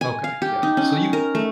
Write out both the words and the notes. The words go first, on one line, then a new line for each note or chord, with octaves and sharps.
Okay. Yeah. So, you
G#5
F5
G4
D#4
C#4
A#4
A3